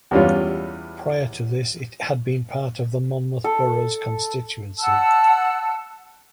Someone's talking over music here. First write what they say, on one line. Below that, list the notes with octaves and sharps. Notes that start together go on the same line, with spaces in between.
Prior to this it had been part of the Monmouth Boroughs constituency.
E2 E3 G3 C#4 F4
A4
F#5 A5 E6